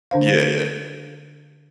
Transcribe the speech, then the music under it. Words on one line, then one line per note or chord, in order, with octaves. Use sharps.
Yeah, yeah.
D3 D4 C5 F5